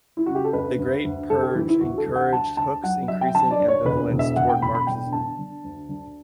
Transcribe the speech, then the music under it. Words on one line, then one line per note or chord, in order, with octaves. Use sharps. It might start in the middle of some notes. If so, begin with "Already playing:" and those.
The Great Purge encouraged Hook's increasing ambivalence toward Marxism.
E4
C#3 F#4
G4
A4
D2 B4
D2
D2
D2 A4
G4
E3 E4
E4
D2 F#4
A4
D2
F#5
D3 A5
D2 A5
F#3 F#5
F#3 E5
G5
D3 A5
D5
D2
C#5
E1 B4
E1
E5
E1 F#5
G5
E1 B5
B5
D3 G5
D3 A5
D3
D2
D3